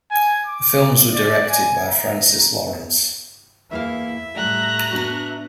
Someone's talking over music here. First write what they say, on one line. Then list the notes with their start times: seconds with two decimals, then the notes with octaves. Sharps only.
The films were directed by Francis Lawrence.
0.11 G#5
0.46 D6
1.14 D5
1.49 G#5
1.88 A#5
3.71 E2 A#3 E4 E5 F5
4.36 A2 G3 A3 D5 A#5 F#6
4.91 B3 D4 F#4